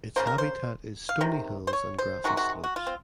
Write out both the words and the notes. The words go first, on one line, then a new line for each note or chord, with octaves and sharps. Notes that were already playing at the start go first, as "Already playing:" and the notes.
Its habitat is stony hills and grassy slopes.
C#3 F#3 A#3 C5
A#4
C5
F5
C3 D#3
C5
C#5
C5
C3 D#3 G#3 F#4
F#4
F#4
F4
C4